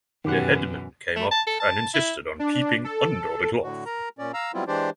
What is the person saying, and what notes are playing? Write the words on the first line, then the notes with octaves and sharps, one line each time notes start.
The headman came up and insisted on peeping under the cloth.
F#2 B2 D#3 E3 G4 F#5
A3
A5
A4
A5
E4
D4
A4
A2 D3 F#4
A#4 A#5
A#2 C#4 D5
F5 A#5 E6
F#3 G3 B3 C4 E4 F4
E3 G#3 D4 G4 C5 D5